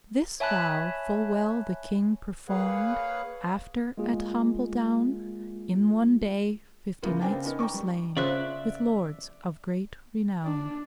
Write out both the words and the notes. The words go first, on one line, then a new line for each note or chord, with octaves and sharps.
This vow full well the king perform'd After, at Humbledowne; In one day, fifty knights were slayne, With lordes of great renowne.
C#5 E5 G#5 A5 B5 F#6
A#3 G#4 B4 C#5 F5 F#5
G#3 A#3 F4 G#4
C#3 E3 A#3 B3 F4
A#3 C4 D4 G5 G#5
C#3
B3 C#4 D#4 A#4
G5 A#5 C#6 D6
G3
C#3 F4 C5 D5 E5 F#6
D4